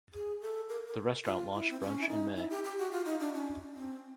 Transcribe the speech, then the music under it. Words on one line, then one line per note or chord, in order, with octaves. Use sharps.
The restaurant launched brunch in May.
G#4
A4
A#4
A#4
F4
E4
C4
C#4
E4
D#4
E4
G4
G4
F#4
F4
D#4
D4
C#4
C4